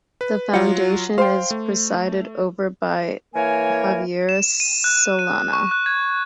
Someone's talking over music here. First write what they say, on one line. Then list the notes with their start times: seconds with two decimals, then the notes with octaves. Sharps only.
The Foundation is presided over by Javier Solana.
0.21 B4
0.53 F#3 F4 F#5
1.18 C5 F5 G5
1.51 A3
3.33 E3 A#3 A#4 C#5 G#5
4.29 E7
4.60 D#7
4.84 F#6
5.19 D#7
5.53 C#6
5.71 F#6
5.86 G#6